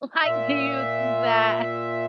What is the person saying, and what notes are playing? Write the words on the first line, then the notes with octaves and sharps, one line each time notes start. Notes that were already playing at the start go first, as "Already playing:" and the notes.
Like, do you think that
A#2 E5